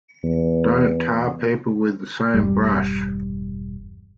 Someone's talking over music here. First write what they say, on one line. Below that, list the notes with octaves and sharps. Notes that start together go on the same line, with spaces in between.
Don't tar people with the same brush.
E2
E1 G2 G3